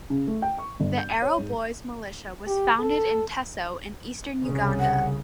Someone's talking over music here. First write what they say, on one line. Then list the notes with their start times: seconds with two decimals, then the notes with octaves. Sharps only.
The Arrow Boys militia was founded in Teso in eastern Uganda.
0.10 C#3
0.27 A3
0.42 G5
0.58 C#6
0.80 G1
0.98 G6
1.10 D#7
1.22 C#5
1.39 G#2
2.46 G4
2.79 A4
4.44 C2 C#3
4.80 F#5